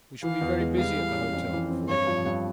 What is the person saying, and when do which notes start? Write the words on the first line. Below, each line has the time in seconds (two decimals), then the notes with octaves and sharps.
We shall be very busy at the hotel before long.'
0.23 E3 F5
0.41 E2
0.60 G#3
0.78 G3 F5
0.97 E3
1.15 C#4
1.33 F2
1.52 E3
1.70 C4
1.88 G2 C#5
2.07 F3
2.26 G2